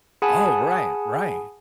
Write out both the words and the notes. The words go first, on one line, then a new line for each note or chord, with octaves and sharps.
Oh, right, right.
G#4 F#5 G#5 A5 B5 D#6